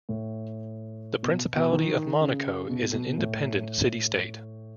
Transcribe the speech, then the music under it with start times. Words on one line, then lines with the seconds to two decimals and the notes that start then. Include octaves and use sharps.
The Principality of Monaco is an independent city-state.
0.09 A2
1.23 B2
1.56 B2
1.72 D#3
2.21 C#3
2.69 B2
2.82 B2
2.93 B2
3.06 B2
3.18 A2